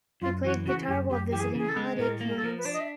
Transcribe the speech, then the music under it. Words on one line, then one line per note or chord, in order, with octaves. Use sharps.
He played guitar while visiting holiday camps.
F#2 F4
E3 F#4
C#3 F#4
F#2 G4
F#2 G4
E3 G4
G#4
C#3 G#4
A4
G#3
A2 A#4
A#3
A#4
A4
F3 A#4
B4
D4 D5
D#5
E5